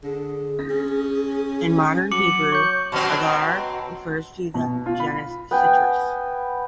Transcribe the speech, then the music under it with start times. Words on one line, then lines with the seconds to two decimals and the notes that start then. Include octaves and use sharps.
In modern Hebrew, "hadar" refers to the genus "Citrus".
0.04 D3 G#4
0.70 C#4
2.11 F#3 D6 C#7 F#7
2.52 C#5 C#6 G6
2.92 B2 F#3 C4
4.54 B2
4.86 F4
5.00 B5
5.51 B3 G5 G#5